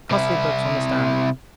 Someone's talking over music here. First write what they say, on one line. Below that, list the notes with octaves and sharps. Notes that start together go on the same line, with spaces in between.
Costly books on the stand.
C3 E4